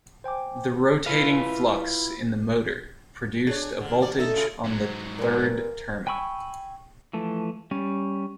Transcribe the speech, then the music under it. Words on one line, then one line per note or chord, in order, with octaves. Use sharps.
The rotating flux in the motor produces a voltage on the third terminal.
C5 G5 G#5 D6
E4 F4 B4 F5
D4 G#4 C#5
D3 A#3
E2 A#3 D5
A3 D#4 A4 E5
C#3 F4
G#2 F#3
A#2 B3 A#4
G5 G#5 B5 C#6 E6
E3 F3 A3
G3 C#4